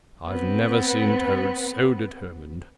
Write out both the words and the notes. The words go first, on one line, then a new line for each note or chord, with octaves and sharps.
'I've never seen Toad so determined.
B3 C4